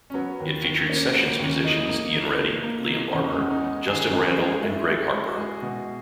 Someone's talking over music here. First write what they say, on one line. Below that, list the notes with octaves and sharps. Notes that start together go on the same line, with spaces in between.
It featured session musicians Iain Reddy, Liam Barber, Justin Randall and Greg Harper.
C#4
F#3 B3
D#2
D#2
A#3 C#4
B3
F#3
A#3
D#2
C#4
E3 D#4
A#3
E3
A#3
A#3
E3
E2 C#4
D#4
C#4
G#3
D#4
B3
D#3 G#4
G#3
C#4
G#3
G#3 E4
G#3
G#3
F#4
G#3 G#4
B2